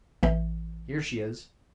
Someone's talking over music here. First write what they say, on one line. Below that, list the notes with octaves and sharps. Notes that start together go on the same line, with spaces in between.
Here she is.
A1 E3